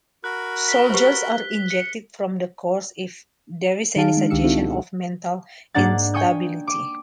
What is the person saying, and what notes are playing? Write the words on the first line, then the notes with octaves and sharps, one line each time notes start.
Soldiers are ejected from the course if there is any suggestion of mental instability.
F#4 A#4 B5 F#6
B6 G7
G4 B4 C5
C#7
D#3 D#4 G#4 F5 A5 D7
G#3 D4
C#2 D#3 G4 F5 E6 C#7
C4 D#4 E4 F#4 A4
B2
G#2 A#3 D4 F#5 A6
G5 G#5 C#6 D#6 G6
D6